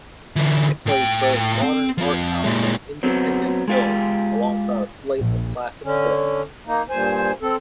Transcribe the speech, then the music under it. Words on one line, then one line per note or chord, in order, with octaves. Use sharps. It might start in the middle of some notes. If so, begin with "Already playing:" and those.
It plays both modern art-house and independent films, alongside a slate of classic films.
D3 E3
A2 G5
C4
F3 C4
A#2 G#3
F#3 B3 C4
G#3 F4 G4
A#1
D3 C#4
A#3 D#4
G2 A#2 C5 G#5
C4 A4